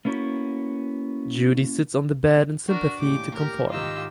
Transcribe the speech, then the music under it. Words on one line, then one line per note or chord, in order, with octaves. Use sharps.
Judy sits on the bed in sympathy to comfort him.
A#3 B3 C#4 E4 F#4
D4 F#4 A#4
D#2 A2 G4 D6
G4 A#4
G#2 D#3 D#4 F4 G4 E6